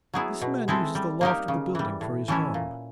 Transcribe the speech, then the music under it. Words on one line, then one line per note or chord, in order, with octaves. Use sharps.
This man uses the loft of the building for his home.
F#3 B3 E4 G#4
B2
G#3 C4 E4 A4
G3
A#3 D#4 G4 A#4
C#3
E3 G3
A2
E3 A3 C#4 E4
A#2